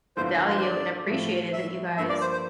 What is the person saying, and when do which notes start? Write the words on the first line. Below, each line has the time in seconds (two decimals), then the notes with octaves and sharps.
value and appreciated that you guys,
0.17 G2 D3 F3 A#3 E4 C5
0.47 F4
0.57 C5
0.62 D5
1.07 A2 F3 A3
1.53 E5
1.97 G2 F3 A#3 E5
2.09 D5
2.21 C5
2.32 C5